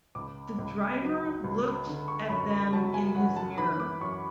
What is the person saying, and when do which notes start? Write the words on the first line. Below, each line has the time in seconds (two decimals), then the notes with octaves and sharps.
The driver looked at them in his mirror.
0.15 C#2 D6
0.58 C#2
1.01 F#3
1.44 C#2
1.87 D3
2.08 C#6
2.29 F#2 B5
2.50 B5
2.72 F#3 A5
2.94 G#5
3.15 F#2 F#5
3.36 A5
3.58 E3 B5
3.80 D6
4.01 F#2 C#6